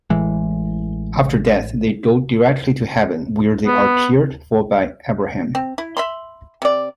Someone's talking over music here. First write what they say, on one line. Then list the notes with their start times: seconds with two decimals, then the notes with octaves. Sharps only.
After death they go directly to Heaven, where they are cared for by Abraham.
0.10 A1 A2 E3 G#3
3.67 B3
5.55 C4
5.78 E4
5.97 E5 B5 C6
6.62 C3 D5